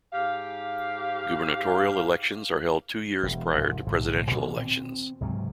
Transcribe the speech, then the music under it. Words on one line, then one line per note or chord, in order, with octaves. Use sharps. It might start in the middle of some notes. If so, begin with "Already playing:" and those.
Gubernatorial elections are held two years prior to presidential elections.
G#2 G4 F5
E1
C2 G#2 F3
B1 A2 D3 A3
A#2 D#3 E3 B3
C4
C#2 G#2 C3 F#3